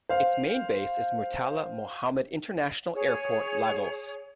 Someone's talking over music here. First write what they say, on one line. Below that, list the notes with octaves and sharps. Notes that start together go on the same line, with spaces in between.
Its main base is Murtala Mohammed International Airport, Lagos.
C5 F5
G#4 C#5